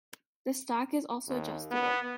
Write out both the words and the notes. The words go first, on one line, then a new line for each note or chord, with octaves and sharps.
The stock is also adjustable.
D#2
B3